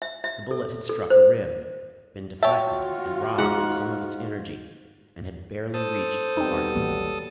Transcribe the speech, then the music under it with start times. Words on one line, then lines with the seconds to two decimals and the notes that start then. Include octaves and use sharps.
The bullet had struck a rib, been deflected and robbed of some of its energy, and had barely reached the heart.
0.02 E5
0.24 E5
0.51 A4
0.89 A4
1.10 C5
2.43 F4 F#4 C#5 E5 G5 A5
3.38 G#2 F#5
5.74 A4 C5 D#6
6.37 B2 G3 B3 C4 D#4
6.75 A1 D#2 F#3